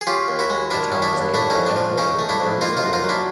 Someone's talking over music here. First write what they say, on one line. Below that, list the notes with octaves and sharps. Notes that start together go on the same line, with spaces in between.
The town was named for Ed Brooker, an early settler.
G#4
C#4 F4 G4
D#2
E4 F#4
G#3
D#3 D4 E4
C#4
D4 E4
D#2
A3 D4 E4
C#4 D#4
F2
D4
F3
C#3 C#4 D#4
A3
D4 E4
F2
A#3 D#4 F4
D#4 F4
F#2
D#4 F4
F#3
D4 E4